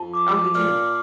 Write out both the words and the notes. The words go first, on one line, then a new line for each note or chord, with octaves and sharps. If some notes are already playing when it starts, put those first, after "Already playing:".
Oh, we do,
Already playing: F2 F3 A5
D6
A#2 F6